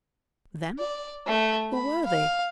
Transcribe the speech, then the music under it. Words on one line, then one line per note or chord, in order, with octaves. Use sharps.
"Them"? who were they?
D5
A3
B5
F5